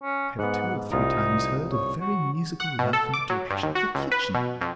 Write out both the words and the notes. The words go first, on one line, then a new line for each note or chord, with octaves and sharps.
I have two or three times heard a very musical laugh in the direction of the kitchen.
C#4
G#2 B3 F#5
C2 D#4 F4 A#5
C#5
F#4
F#5
B2
A4
D6
F#3
G2
D#2
F#4
C#2
B4
B2
F2